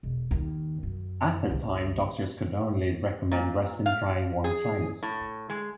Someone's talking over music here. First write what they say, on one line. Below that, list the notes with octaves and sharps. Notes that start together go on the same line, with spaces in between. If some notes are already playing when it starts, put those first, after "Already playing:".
At the time, doctors could only recommend rest in dry, warm climates.
E1
D#2
F#2
C#2 D3
A#2
F5
G#4
A2
G#3